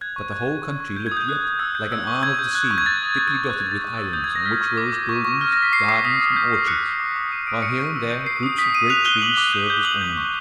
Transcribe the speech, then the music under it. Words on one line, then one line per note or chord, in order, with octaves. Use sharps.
But the whole country looked yet like an arm of the sea thickly dotted with islands on which rose buildings, gardens, and orchards, while here and there groups of great trees served as ornament.
F#6 G#6
C#6
F#6
F#6
E6
C#6
G6
G#6
D#6
G6
F#6
D#6
E6 G#6
G6
E6
C#6
G6 G#6
G6
F#6
C#6
G#6
F#6 A6
D#6
F#6
D6
F#6 G#6
G#6
F#6
A6
C#6 G#6
E6
G#6
D#6 G6
G#6
D#6
A#6
F6 B6
C#6
D6
D6
C#6
C#6
F6
D6 A#6
B6
D6 C7
D6 C7
D#6 B6
D#6
G6
G6
F#6 C#7
F#6
D6
D6
D#6 D#7
D#6 D7
C#6 C#7
C#6
E6
G6
G6 C7
D#6 C7
D#6 B6
D#6 D#7
F#6 F7
F#6 G7
D6 F#7
D6
G6
G6
D#6 F#7
G6 G7
C#6 F#7